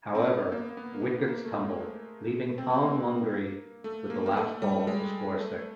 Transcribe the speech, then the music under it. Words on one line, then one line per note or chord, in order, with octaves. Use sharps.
However, wickets tumbled, leaving Tom Lungley with the last ball to score six.
C4
B3
A#3
A#3
B3
A#3
B3
A#3
A3
G#3
A3
C4
B3
A#3
A3
A#3
A#3
A3
G3
G#3
A3